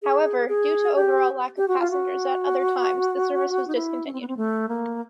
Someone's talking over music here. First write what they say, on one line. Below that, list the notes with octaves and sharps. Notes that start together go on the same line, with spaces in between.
However, due to overall lack of passengers at other times the service was discontinued.
G#4
G#4
G4
G4
F#4
F4
F#4
D#4
E4
C#4
C4
B3
C4
A3
A#3